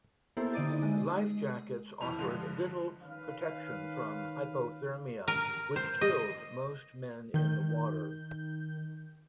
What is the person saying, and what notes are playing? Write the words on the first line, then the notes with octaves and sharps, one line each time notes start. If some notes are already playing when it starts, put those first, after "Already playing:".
Life jackets offered little protection from hypothermia, which killed most men in the water.
A#3 B3 E4 G4 A4 C5
D3 D#4 D5 D#5 D6 A6
G#3 D#5
F2 E3 G3 F7
G2 D3 F3 G#3
D#3 C#4 B4 F5
A#4
C5
D#5
D#3 G6